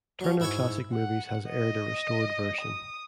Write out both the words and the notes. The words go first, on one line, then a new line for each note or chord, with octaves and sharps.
Turner Classic Movies has aired a restored version.
F#3 C#4
G#2 E4 E5 G#5 C#6
F#5
D#5
D#6